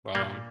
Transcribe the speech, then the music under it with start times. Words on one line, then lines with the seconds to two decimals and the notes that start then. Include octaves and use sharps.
but, um
0.15 A#2 G3 A#3